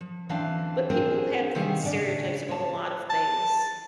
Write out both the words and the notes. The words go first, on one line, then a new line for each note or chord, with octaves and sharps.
But people have stereotypes about a lot of things
F3
D2 E3 C4 D4 F5 A5
C4 D4 G#4 A#4 C5
C3 D#3 G3 C4 G#4 F5
A2 C#3 D4 D5
C#5 A5
A5